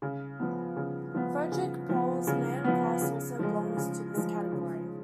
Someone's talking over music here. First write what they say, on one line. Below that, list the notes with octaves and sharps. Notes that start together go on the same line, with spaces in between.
Frederik Pohl's "Man Plus" also belongs to this category.
C#3
F3 B3
C#3
F3 B3
C#3
F3 B3
C#3
F3 B3
C#3
F3 G#3
C#3
F3 G#3
C#3